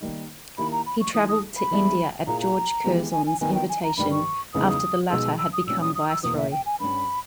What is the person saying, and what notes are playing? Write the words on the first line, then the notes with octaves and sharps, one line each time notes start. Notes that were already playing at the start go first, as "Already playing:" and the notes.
He travelled to India at George Curzon's invitation after the latter had become Viceroy.
D#3 G3 A#3 D#4
D#3 A#3 E4 G4 B5
A#5
B5
C#6
E3 G#3 D#4 D#6
D#6
B5
E3 G#3 B3 E4
A#2 A#3 E4 G#4 A#5
A#5
E3 G#3 B3 G4
G#5
G#5
D#3 G3 B3 D#4 G#5
G5
G#5
A#5
G2 D#3 G3 B5
C#6
E2 C#3 G#3 B3 D#4 D#6
D#6
B2 G#3 D#4 G#4 E6
E6
D#6
A#2 G3 C#4 E6
D#6
D#6
E6
E2 B2 A#3 D#6
E5
G5
G#5
G2 G3 C#4 B5